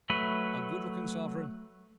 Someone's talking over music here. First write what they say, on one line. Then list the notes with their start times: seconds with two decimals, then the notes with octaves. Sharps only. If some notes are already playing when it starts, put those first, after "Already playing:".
A goodlooking sovereign.
0.10 F#3 A3 B4